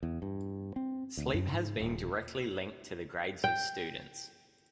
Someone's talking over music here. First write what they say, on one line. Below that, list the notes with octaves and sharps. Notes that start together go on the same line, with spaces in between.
Sleep has been directly linked to the grades of students.
E2
G2
C4
D2
F#2
G#2
D#1
G5